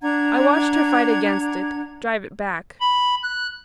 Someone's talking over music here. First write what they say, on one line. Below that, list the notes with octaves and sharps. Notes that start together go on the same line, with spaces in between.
I watched her fight against it, drive it back.
D4 F#5 A#5 G#6
B5
F#6